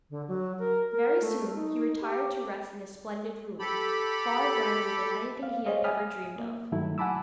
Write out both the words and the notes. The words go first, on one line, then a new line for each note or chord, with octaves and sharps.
Very soon he retired to rest in a splendid room, far grander than anything he had ever dreamed of.
D3
F#3
A#4
A#4
A3
D#4
G4
G4 A4 B5
F5
G#4 C5 C#5 D#5 F5
E5 G#5 D#6 F6
A#3
G2 D#3 F#3 A3 E4
F#5 G#5 A5 B5 D6 E6